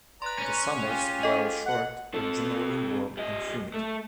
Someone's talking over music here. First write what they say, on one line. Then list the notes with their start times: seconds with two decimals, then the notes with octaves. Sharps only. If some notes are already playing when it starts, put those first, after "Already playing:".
The summers, while short, are generally warm and humid.
0.22 B4 D5 A#5 C6 F#6
0.38 C#4 C#5
0.82 F4 G4 G#4
1.23 A4 D#5
1.66 F#5
2.14 C4 A4
3.17 G3 D#5
3.74 A3